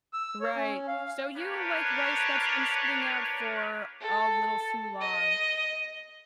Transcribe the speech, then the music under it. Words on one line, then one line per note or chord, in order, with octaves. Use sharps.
Right. So you like rice that's been sitting out for a little too long.
E6
C#5
C#4
F5
A#3 D4 G4 A#4 B4 C#5
A4
D#5